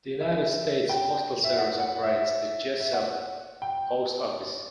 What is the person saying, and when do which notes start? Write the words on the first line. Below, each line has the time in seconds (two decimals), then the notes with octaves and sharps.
The United States Postal Service operates the Jesup Post Office.
0.21 E5
0.89 G5
1.44 E5
1.57 F#5
1.80 F#5
2.03 E5
2.80 E5
2.93 F#5
3.62 G5